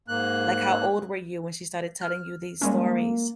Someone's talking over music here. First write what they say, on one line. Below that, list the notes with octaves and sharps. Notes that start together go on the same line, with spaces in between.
Uh, like, how old were you when she started telling you these stories?
G#2 A#3 F#6
F6
G3 G#3 A#3 C#4